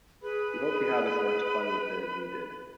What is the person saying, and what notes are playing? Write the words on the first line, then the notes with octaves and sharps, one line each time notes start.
We hope you have as much fun with it as we did.
G#4 B4 B5